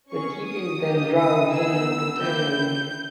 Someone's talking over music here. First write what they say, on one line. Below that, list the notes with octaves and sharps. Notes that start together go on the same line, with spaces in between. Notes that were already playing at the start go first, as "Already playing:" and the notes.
The tibia is then drawn forward anteriorly.
C#4 G#4 C#6
D#6
A#3 C#4 G4
D#6
B3 D#4 G#4 E6
A#3 E4 G4 G6